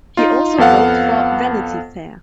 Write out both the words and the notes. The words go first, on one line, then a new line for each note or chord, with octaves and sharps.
He also wrote for "Vanity Fair".
D#4 F4
F2 B3 A4 F5 F#5